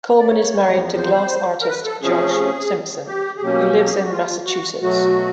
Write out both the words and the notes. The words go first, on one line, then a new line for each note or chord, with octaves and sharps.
Coleman is married to glass artist Josh Simpson who lives in Massachusetts.
D5
C#5
E2 C3 F3
C5
A#4
B4
A4
C3 F3 A3 C#4 G#4
G4
G#4
B2 F#3 A#3 C#4 G4
A4
G#4
G4
F#4
F4
F#4
B2 F#3 A3 F#4